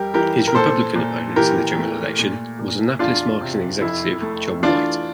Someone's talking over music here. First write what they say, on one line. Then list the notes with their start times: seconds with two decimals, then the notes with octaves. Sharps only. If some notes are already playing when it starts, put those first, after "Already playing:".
His Republican opponent in the general election was Annapolis marketing executive John White.
Already playing: F2 G3 G4 A#4
0.14 E3 G4 A#4
0.48 A#4
0.55 A#2 A4 C5
0.95 A#2
1.36 E3 G4 A#4
1.78 A3
2.19 A#2
2.59 A#2
2.99 E2 D4 F4
3.41 C3
3.81 F2 E4
4.22 A3
4.63 E3 D4 F4